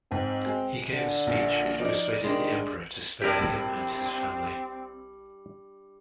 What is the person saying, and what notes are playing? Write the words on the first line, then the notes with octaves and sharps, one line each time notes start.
He gave a speech which persuaded the emperor to spare him and his family.
G#2 C4
G#3
D3
A#1 A#2
F3 D#4 D5
D#3 G#3 D4
G3 C4 D4 E4 G4 A#4